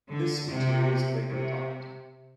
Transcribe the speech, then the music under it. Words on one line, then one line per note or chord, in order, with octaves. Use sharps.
This feature was later dropped.
D3
C3
C3